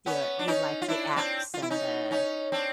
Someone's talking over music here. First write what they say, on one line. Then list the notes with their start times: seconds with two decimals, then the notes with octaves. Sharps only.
your you like the apps, and the
0.06 B3 C#4
0.39 D4
0.47 C#4 D#4
0.82 F4
0.88 D4 E4
1.16 C4 D4
1.54 F4
1.62 E4
1.70 C#4 D#4
2.11 C#4 D#4
2.52 C4 D4